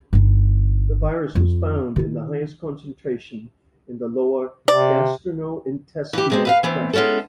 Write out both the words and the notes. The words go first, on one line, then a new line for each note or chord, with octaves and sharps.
The virus was found in the highest concentrations in the lower gastrointestinal tract.
G1 D#4
F2 F4
D#3 E4
C3 D5
E3 G4
C3 G#3 C4
B4 E5 F5
E3 B3 C4
G#3 B3 C#4 E4 A4